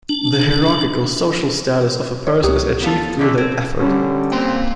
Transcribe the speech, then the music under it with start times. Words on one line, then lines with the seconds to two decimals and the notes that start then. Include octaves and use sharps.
The hierarchical social status of a person is achieved through their effort.
0.09 D4
2.27 C#5
2.43 C#2 F#3 G4 D#6
2.82 B3 F4 A4
3.19 D3 E3 F#3
3.38 C4 G#6
3.79 D3 G3 C#4
4.33 A#3 C4 C6